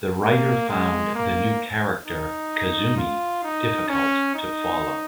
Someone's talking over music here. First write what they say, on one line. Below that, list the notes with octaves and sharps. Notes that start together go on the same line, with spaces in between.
The writer found the new character Kazumi difficult to follow.
A#3
G#3
A#3
D#4
F4
D#4
C#4
D#4